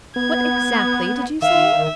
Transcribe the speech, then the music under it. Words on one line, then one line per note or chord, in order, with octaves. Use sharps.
What exactly did you say?'
B3 G#6
D#3 E5 F5